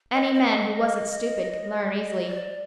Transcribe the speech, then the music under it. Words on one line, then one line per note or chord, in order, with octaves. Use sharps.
Any man who wasn't stupid could learn easily.
D#5
D#5
D5